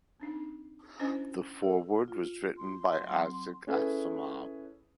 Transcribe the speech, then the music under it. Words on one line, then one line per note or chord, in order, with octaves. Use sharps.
The foreword was written by Isaac Asimov.
C4 D4 D#4
C#4 D4 E4 C5 D#5 G#5
A4
F4
C6
F#3 C4
C#4 E4 G#4 A4 B4